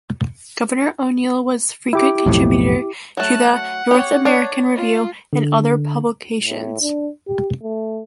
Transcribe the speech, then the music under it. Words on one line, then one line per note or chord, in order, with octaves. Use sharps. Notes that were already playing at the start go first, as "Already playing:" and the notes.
Governor O'Neal was a frequent contributor to "The North American Review" and other publications.
E4 G4 D6
B1 F2 A2
F#3 A3 A5 F#6
F#5
G4 C#5
D4 C#5
F4
D3
A2
D4
G4
A3